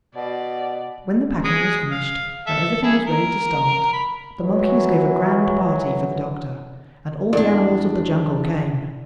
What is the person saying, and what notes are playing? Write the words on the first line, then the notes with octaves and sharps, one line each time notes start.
When the packing was finished and everything was ready to start, the monkeys gave a grand party for the Doctor, and all the animals of the jungle came.
B2 D5
G#3 G#4 D#6
F5
A4 E5
E4 G#4
A#4
B5
E3 F#3
E2 D4 D5